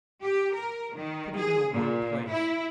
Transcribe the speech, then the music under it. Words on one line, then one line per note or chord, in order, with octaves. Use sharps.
Put it in a warm place.
G4
A#4
D#3
G#4
A#2
E4